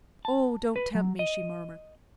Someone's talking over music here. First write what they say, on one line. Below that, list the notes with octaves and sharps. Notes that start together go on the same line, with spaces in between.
"Oh, don't tempt me!" she murmured.
A5
B4
F#3
D#5